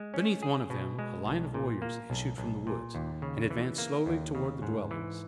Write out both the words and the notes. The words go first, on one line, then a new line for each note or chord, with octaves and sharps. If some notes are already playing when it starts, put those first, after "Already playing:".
Beneath one of them, a line of warriors issued from the woods, and advanced slowly toward the dwellings.
Already playing: G#3
C#4
G#4
B2
G#3
B1
A#2
A#3
B1
B1
A#2
D#2
C#3
E3
A#3
D#2
C#3
G#2
E3